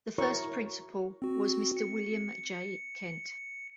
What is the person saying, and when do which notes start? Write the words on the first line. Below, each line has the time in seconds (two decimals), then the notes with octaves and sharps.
The first principal was Mr. William J. Kent.
0.18 E4 F#4 A#4 C#5 C#6
1.22 C4 F#4
1.77 C#7